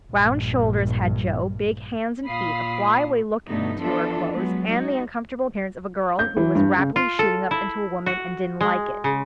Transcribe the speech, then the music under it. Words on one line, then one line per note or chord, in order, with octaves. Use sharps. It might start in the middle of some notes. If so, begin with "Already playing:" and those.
Round shoulders had Jo, big hands and feet, a flyaway look to her clothes, and the uncomfortable appearance of a girl who was rapidly shooting up into a woman and didn't like it.
A#1 G2
A#2 F5 B5 D#6 C7
G2 B2 D3 A3 B3 D#4
E3 F3 B3 D4 F4 A4
F#3 G#3 B3
D#4 F#4
G6
E3
G2
C#3
F4
A4
E4
F#4
G#3
C#3